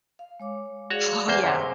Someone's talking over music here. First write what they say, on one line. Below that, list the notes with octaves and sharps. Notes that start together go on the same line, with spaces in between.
Oh yeah,
F5
G#3 C#5 D6
F#4 G#4 C#5 D5 F5
E2 A#3 C5
F#2 C3 C5 F#5